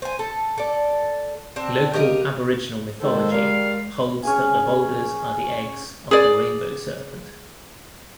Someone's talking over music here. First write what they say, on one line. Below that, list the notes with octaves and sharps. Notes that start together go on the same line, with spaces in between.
Local Aboriginal mythology holds that the boulders are the eggs of the Rainbow Serpent.
C5 G#5
A4
A4 D5
C4 D4
G4 A#4 D#5 F5
D#3 G#3 A4 C5
G3 A#4 D5 F5
C#4 G#4 G#5
G#4 D5